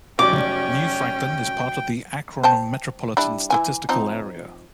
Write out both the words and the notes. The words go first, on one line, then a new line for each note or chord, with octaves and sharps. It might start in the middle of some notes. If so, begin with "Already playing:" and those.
New Franklin is part of the Akron Metropolitan Statistical Area.
F1 F#3 C#4 D5 G5 D6
C5 G5 A5
G3 D4 E4
E3 E4 G#5
F3 C4 D#4